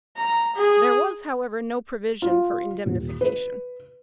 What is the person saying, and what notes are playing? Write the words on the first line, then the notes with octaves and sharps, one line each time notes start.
There was, however, no provision for indemnification.
A#5
G#4
F4
D#1
B4